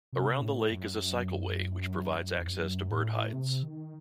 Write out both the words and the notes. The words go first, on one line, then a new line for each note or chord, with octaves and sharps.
Around the lake is a cycle way which provides access to bird hides.
C3
C3
A2
F#2
E2
F#2
A2
C3
D#3